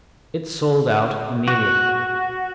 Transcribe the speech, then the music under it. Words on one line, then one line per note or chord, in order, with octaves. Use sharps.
It sold out immediately.
F#4